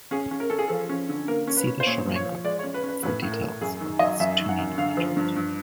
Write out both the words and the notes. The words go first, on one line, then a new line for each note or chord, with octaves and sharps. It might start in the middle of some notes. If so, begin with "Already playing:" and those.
See the charango for details of this tuning arrangement.
C#4 G#4
C#4
A#4
C#4 A4
G#4
F3 A4
C#4
D3
A#3 A#4
C#4
B4
C#4
C5
A#2 C#5
F3
C#5
F3
G#3 D5
C#5
C#4
B4
C#4
B4
A2 B4
A2
A#4
A2
F#2 G#4
D#3
F#3 D#5
F#2 E5
D#3
F#5
F#2
D3 F5
F3
G2
G2